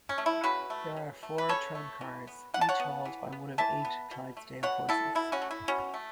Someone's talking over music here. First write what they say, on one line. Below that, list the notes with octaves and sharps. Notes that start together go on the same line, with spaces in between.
There are four tramcars, each hauled by one of eight Clydesdale horses.
C#4
A3
E4
C#3 F#4 B4
A3
C#3
A3
B4
C#3 A4 C#5
A3
E3
B3
E3 F#5
A5
C#5 F#5
B3
E3
B3
E3 E5 A5
B3
B2
A3
B2 C#5 F#5
A3 E4 A4
B2 E4
C#4 F#4
A3
E4
B2 C#4 F#4
A3